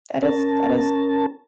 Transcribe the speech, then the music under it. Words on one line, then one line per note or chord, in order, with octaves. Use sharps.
That is that is
C#4 A#4 A5